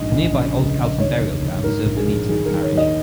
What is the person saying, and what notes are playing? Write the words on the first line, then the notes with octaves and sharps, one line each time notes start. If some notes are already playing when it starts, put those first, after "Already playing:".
The nearby Old Calton Burial Ground served the needs of the parish.
Already playing: A#1 G#2 D#5
A#1
C#3
C#2
C#2
D#2 C#5
F1
F1
G#2 A#4
A#1
G#4
A#1
D#3 G#4
A#4
D#3
C#5
D#2 D#5